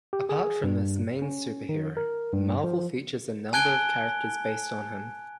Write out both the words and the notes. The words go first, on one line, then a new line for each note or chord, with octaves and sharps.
Apart from this main superhero, Marvel features a number of characters based on him.
G4
G#4
G2
C#4
D#3
A#4
G2
F3
G#5 A5 F#6 G#6 D7 G7